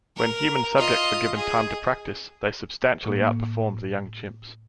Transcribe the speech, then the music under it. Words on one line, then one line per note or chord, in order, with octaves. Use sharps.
When human subjects were given time to practice, they substantially outperformed the young chimps.
A#4
F4 D#5
G#4
A2 A#3